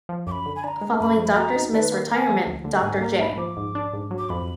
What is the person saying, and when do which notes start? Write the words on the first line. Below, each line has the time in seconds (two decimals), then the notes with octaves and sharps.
Following Doctor Smith's retirement, Doctor J.
0.09 F3
0.27 F#2 D6
0.31 B5
0.46 D3
0.56 G#5
0.64 D4 B5
0.68 A#5
0.81 G#3
1.00 F#2 B5
1.18 F3
1.25 B5
1.37 F#4 A#5
1.56 D#4
1.73 D#3 D5
1.78 B4
1.92 A#3
2.10 A#3 A#5
2.14 G#5
2.29 F3
2.46 D2
2.64 D3
2.73 F#5
2.83 G#2 G#5
3.01 A#3 A#5
3.19 G#2 B5
3.37 F3 D6
3.57 G#2
3.75 D4
3.93 G#2
4.11 F#3
4.18 D6
4.29 F2 B5